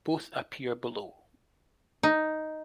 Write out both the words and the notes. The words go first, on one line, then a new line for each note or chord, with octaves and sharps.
Both appear below.
D#4